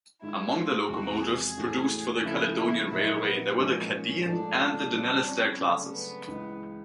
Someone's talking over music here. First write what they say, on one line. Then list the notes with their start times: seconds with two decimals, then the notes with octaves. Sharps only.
Among the locomotives produced for the Caledonian Railway were the "Cardean" and "Dunalastair" Classes.
0.22 G#2 D#3 G#3 E4
0.55 F4
0.89 E2 C3 F3 G#3 F#4
1.23 G#4
1.57 A2 E3 A3 C#4 F#4
2.24 C#3 F3 A3 E4
2.57 E4
2.91 A#2 F#3 A#3 D#4 E4
3.24 B3
3.58 G#2 F3 A#3 C#4 D#4
4.25 G#2 F3 A3 D4
4.93 D3 G3 C4 D4 F4
5.27 C#4
5.60 C#3 F#3 A3 D4
5.93 B3
6.27 C#2 C#3 E3